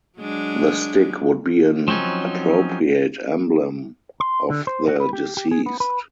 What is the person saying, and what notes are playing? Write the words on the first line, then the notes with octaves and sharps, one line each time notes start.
The stick would be an appropriate emblem of the deceased.
F#3 G#3 D4
F3 F#3 C4 C#4 D#4
C6
D3
C5
F#4
B4
G4
G4
G#4
B3
B4